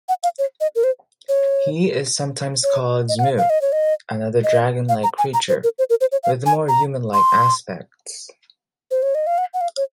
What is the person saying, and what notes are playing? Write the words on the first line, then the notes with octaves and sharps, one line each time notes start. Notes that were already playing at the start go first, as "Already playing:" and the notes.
He is sometimes called "zmeu", another dragon-like creature, with more human-like aspects.
F#5
F5
C#5
D#5
A#4
C5
C#5
C#5
D#5
F#5
F5
F5
D#5
C#5
D#5
D#5
F5
A#5
G#5
A#5
C5
A#4
C5
A#4
C5
C#5
F5
G#5
A#5
C6
C5
C#5
D#5
F5
F#5
F#5
F5
C#5